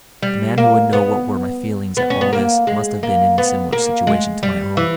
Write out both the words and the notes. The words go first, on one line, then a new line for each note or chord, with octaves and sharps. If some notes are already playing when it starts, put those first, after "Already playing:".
The man who would know what were my feelings at all this must have been in a similar situation to my own.
G3
A#3
B3
B3
C#4
B3
A#3
G#3
A#3
B3
A#3
G#3
G3
E3